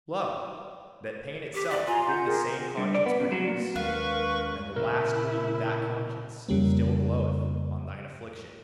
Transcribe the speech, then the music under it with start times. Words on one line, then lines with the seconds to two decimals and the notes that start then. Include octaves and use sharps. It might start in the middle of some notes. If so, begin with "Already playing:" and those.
Lo, that pain itself did the same conscience produce; and the last gleam of that conscience still gloweth on thine affliction.
1.54 G4
1.70 D5
1.87 F4 G#5 A#5 C6
2.07 F#5 G6
2.25 G4 G#4 A#4
2.77 G2
2.94 D5
3.06 B3
3.20 C#3
3.32 F#3
3.47 A#2
3.76 D#2 G#3 A#4 B4 F5 C#6
4.76 A#2 C#3 E3 E4 A#4
6.48 F2 C#3 G3 A#3